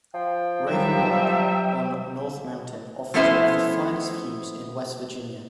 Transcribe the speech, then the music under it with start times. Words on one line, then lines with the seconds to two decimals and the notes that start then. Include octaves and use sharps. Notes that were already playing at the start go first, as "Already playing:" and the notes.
Raven Rock, on North Mountain, offers one of the finest views in West Virginia.
0.15 F3 G5
0.69 F#3 G3 E5
3.14 F3 A3 B3 C#4 E4 C5